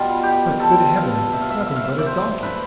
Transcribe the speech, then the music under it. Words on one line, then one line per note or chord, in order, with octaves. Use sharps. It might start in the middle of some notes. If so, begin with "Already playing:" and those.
'But, good heavens, it's nothing but a donkey!'
Already playing: B2 G3 B3 F4
G4
A4
F5
E5
F5
E5
F5
E5
F5
E5
D5
C5
B4